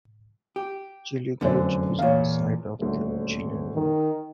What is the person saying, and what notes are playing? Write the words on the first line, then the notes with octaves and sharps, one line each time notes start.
Chili Gulch is the site of the Chilean War.
G4
F1 F#2 D3 C5
E2 A#2 C#5 F5
D#1 D2
D#3